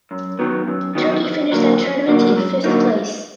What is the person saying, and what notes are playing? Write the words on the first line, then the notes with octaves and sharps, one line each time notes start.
Turkey finished that tournament in fifth place.
F#2
D#3 F#3 B3
F#2
D#3 F#3 B3
F2
D3 F#3 A#3
F2
D3 F#3 A#3
F#2
D3 F#3 A#3 D#4